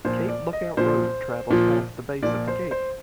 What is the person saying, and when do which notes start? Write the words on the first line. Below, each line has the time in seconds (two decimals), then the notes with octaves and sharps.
Cape Lookout Road travels past the base of the cape.
0.05 A#2 F3 C5
0.29 D5
0.53 D#5
0.77 A#2 F3 C5
1.50 A#2 F3
2.23 A#2 F3 D5
2.47 C5
2.71 C5